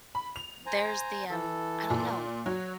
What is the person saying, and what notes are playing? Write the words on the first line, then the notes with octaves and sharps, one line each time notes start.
there's the, um, I don't know.
B5
F7
C5 G#5 A#5
E3 A4
A#2
F#3 C#5